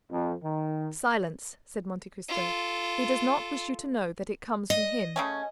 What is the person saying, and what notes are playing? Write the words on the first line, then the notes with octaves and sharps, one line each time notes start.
"Silence," said Monte Cristo; "he does not wish you to know that it comes from him."
F2
D#3
F4 A4
D#5
C#3 A3 C#4